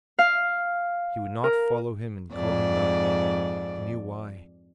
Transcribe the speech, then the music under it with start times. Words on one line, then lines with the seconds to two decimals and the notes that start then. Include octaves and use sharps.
He would not follow him and call him back, he knew why.
0.19 F5
1.44 A#4
2.33 F2 G#2 D5